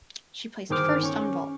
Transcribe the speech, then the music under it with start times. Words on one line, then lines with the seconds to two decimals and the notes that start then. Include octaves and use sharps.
She placed first on vault.
0.69 G1 D#3 G#4 C5 D6 F6
1.03 C#4 C#6